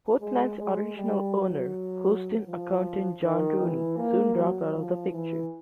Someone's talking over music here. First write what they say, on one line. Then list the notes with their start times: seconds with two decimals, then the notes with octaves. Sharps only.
Portland's original owner, Houston accountant John Rooney, soon dropped out of the picture.
0.20 G#3
0.58 G#3
0.96 G3
1.34 F#3
2.47 F3
3.22 D#3
3.60 E3
3.97 A#3
4.35 F#3
4.73 F3
5.11 E3